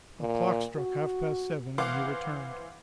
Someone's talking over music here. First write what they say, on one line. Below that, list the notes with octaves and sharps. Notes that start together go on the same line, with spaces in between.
A clock struck half-past seven, and he returned.
A#2
F#4
E3 C5 F5 F#5 D6